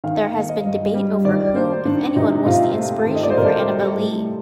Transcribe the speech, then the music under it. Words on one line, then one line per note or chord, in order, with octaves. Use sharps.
There has been debate over who, if anyone, was the inspiration for "Annabel Lee".
D#3 F5
A#3
D#5
G2
G3
D#3 D5
A#3 C5
D#3 D4
C3 D#4
C3 F4
A3
A4
D#3
D#5
D5
C5
C3 A#4
A4
G3
A2